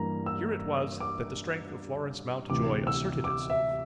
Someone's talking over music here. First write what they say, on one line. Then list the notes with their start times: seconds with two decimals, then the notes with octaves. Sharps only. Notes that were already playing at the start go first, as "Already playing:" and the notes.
Here it was that the strength of Florence Mountjoy asserted itself.
Already playing: G2 E3 A#3 A#5
0.26 E6
1.00 D6
2.50 D2 C3 E3 D6
2.87 E6
3.24 D6
3.50 E5